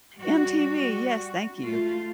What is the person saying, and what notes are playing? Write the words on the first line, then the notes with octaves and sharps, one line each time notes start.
MTV, yes, thank you.
G3 F#4
A3 F4